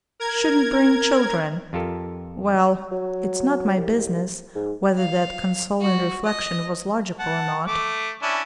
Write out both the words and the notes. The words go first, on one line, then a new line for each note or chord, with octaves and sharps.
Shouldn't bring children!' Well, it's not my business whether that consoling reflection was logical or not.
A#4 G#6
F2 F4 G4 A4 A#4
F#3
C2
G#2
F5
F#4
D#5
F#5 A5
A3 D6
C#4 D4 E4